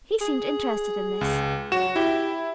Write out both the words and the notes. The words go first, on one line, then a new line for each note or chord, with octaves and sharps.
He seemed interested in this.
G#4
C#2
F#3 F#4 E7
E4 G4